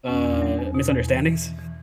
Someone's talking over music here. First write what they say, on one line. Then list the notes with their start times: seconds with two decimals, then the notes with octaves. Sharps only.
uh, misunderstandings?
0.08 E2 C#4
0.25 E2
0.33 D4
0.42 F#3
0.58 E2
0.75 B2
0.92 E2
1.09 E3
1.25 E3
1.42 E3
1.59 E3